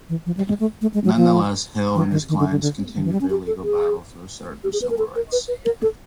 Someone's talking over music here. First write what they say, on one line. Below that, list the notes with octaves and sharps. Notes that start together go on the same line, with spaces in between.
Nonetheless, Hill and his clients continued their legal battles to assert their civil rights.
E3
F3
G3
G#3
A3
A3
G#3
F#3
F3
E3
D#3
D#3
D3
D3
D3
D#3
E3
G3
C#4
G4
A4
G#4
G4
G#4
B4
A#4
A4
A#4
B4
B4
A#4
A4